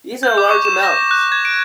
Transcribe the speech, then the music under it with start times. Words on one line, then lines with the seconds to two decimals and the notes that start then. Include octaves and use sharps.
These are large amounts.
0.23 G6
0.38 D6
0.51 C#6
0.65 E7
0.83 A#6
1.11 F#6
1.32 G#6
1.45 D7